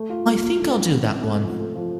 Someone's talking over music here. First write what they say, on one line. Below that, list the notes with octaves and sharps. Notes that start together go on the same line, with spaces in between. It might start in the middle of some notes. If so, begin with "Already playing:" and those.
I think I'll do that one.
Already playing: A3
F4
A3
F4
A3
C#4
C3
C3
A3
F3
A3
F3